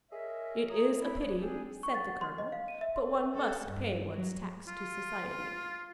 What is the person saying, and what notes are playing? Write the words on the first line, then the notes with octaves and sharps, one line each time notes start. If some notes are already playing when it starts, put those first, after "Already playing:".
"It is a pity," said the colonel; "but one must pay one's tax to society."
G#4 A#4 C#5 D#5 E5
A#2 C#5 A#5 D#6
E4
F3 A3 D4 G#4 D5
A3 C4 D4 D#4 G4 G#4
C#6
A6
F#5
C6
D#5
F5
D#7
E5
C6
A4
G2
F#3
F4